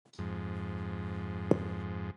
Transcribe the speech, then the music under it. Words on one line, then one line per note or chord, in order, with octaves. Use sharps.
She had several fellow Playmates model clothing for her.
F2 G#2